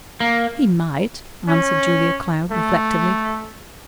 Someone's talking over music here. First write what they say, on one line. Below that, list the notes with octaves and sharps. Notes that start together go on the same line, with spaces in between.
"He might," answered Julia Cloud reflectively.
A#3
C#4
A3